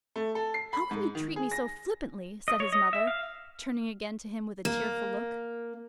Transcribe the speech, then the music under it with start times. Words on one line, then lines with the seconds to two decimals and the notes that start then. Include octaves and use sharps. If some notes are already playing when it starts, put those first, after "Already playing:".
"How can you treat me so flippantly!" said his mother, turning again to him with a tearful look.
0.16 A3
0.35 A4
0.54 C7
0.73 B5
0.91 G#2
1.15 D#3
1.36 G#4
1.51 A#6
2.48 D#5
2.60 C#5
2.73 D#5
2.93 E5
3.07 F5
4.65 A#3